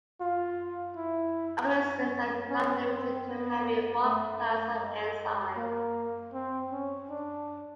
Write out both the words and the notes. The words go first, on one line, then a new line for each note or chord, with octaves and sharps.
Organisms are not limited to having one class of enzymes.
F4
E4
C#4
C#4
C4
B3
A3
G#3
A#3
C4
C#4
D4